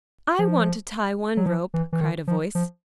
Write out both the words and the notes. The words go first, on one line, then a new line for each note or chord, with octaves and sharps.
"I want to tie one rope," cried a voice.
F3
F#3
F3
E3
E3
D#3
F3
F3